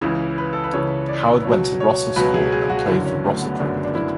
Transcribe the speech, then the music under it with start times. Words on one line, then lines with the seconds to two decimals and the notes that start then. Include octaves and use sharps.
Howard went to Rossall School and played for Rossall Cricket Club.
0.01 C#2 C#3 E3 E4
0.38 B4
0.53 A4
0.64 B4
0.73 C#2 C#3 E3 C#5
1.08 D5
1.44 C#2 B2 F#3 C#5
1.80 C#5
2.16 C#2 B2 F#3 B4
2.34 G#4
2.52 G#4
2.70 F#4
2.87 F#3 E4
2.90 F#1 F#2 D3
3.05 C#4
3.24 A3
3.42 B3
3.59 F#1 F#2 D3 F#3 D4
3.84 D4
3.95 E4